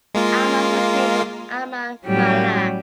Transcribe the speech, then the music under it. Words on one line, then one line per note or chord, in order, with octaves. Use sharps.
Alma was named for Alma Mahler.
G#3 A#3 F4
A2 F#3 G3 C#4 F#4 G4